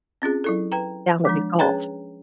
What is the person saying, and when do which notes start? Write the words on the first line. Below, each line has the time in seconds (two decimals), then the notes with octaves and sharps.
down to the Gulf
0.22 C4 C#4 F4 G#4
0.44 F#3 E4 A4
0.72 B4 G5 A#5
1.25 F3 G#3 D4
1.59 C#4 G#4 B4 C#5 G5 A#5